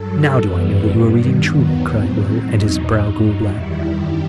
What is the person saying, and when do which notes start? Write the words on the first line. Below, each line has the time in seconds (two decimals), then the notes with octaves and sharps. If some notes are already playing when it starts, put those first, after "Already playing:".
"Now do I know that you are reading truly," cried Will, and his brow grew black.
Already playing: G2 F#3 A4
0.34 F#2 E3 G3 B3
0.86 G2 D#3 G3
1.38 D#2 D#3 F#3 B3
1.88 A2 F#3 C4
2.39 E2 B2 F#3 D#4
2.90 F#2 F#3 D#4
3.42 E2 D#3 G3 E4
3.93 F#2 D#3 G3 G4